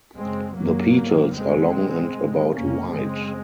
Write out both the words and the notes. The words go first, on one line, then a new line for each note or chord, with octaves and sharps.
The petals are long and about wide.
F#2 C#3 G#3 C4
F#2 C#3 F#3 A#3
G#2
F2 C3 G#3 C4
G#2
G#2
F2 C3 A#3 C#4
F#2 C#3 G#3 C4